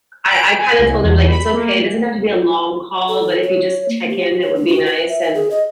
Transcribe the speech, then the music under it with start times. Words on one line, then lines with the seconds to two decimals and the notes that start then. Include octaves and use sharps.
I I kinda told him, like, "It's okay, it doesn't have to be a long call, but if you just check in, it would be nice," and
0.28 D7
0.59 G#5
0.79 C2
1.03 E2
1.28 B5
1.53 A#3
3.08 A4
3.43 C#5
3.89 A#3
4.10 G4
4.42 C#5
4.55 D4
4.68 F#4
4.86 B4
5.08 E5
5.22 E5
5.35 G#4
5.51 D#5